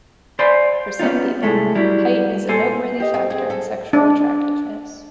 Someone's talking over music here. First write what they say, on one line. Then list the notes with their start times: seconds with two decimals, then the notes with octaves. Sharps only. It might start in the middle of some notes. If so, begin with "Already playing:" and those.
For some people, height is a noteworthy factor in sexual attractiveness.
0.39 C5 D5 F5 G#5 B5 C6
1.00 B3 C#4 D#4 F4
1.43 C2 F2 A2 G#3 A3
1.75 F#3 G3 E4
2.49 A#2 A4 C5 G#5
3.00 G4 D#5
3.14 C4
3.30 C4 G#4
3.50 A4
3.93 D4